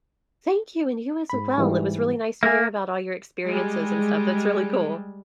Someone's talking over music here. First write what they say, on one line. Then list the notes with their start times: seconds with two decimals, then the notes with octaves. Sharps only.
Thank you, and you as well. It was really nice to hear about all your experiences and stuff. That's really cool.
1.30 G#2 B5
1.58 G#2 E3 G3
2.43 A#3 E5 G#5
3.46 G3 G#3